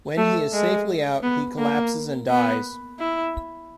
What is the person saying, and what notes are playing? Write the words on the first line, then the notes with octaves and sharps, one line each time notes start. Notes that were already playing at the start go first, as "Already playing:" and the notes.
When he is safely out, he collapses and dies.
A3
G#3
B3
A#3
B3
E4